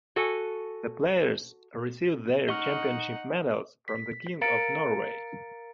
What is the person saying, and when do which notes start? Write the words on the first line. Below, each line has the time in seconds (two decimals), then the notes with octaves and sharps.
The players received their championship medals from the King of Norway.
0.16 F#4 A4 G#5
2.49 D#4 D#5 F#5 C#6 F6
3.88 B6
4.41 A#4 F5 A#5 A6 C#7 D7